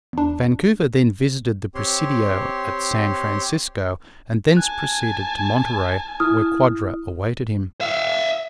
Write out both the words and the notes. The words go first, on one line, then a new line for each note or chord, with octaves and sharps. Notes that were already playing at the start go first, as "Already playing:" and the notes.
Vancouver then visited the presidio at San Francisco, and thence proceeded to Monterey, where Quadra awaited him.
E2 D4
C4 G4 C#5 C6
G#5 A5 F#6
E4 D#6 F6
E5 F5